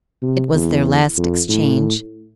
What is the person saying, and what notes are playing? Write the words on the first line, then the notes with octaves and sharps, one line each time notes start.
It was their last exchange.
C3
E2
F2
A2